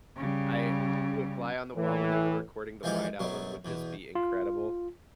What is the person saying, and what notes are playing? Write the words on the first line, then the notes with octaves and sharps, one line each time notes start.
I to be a fly on the wall when they were recording the White Album would just be incredible.
C#3 G3
A2 E3
E3 F3 G#3 G4 A4
F#2 B2 F#3 A3
E2 B2
F4